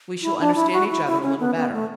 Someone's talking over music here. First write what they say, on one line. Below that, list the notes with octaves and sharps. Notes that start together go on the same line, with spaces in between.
"We shall understand each other a little better."
E4
D4
E4
F#4
E4
E4
C#4
B3
B3
A3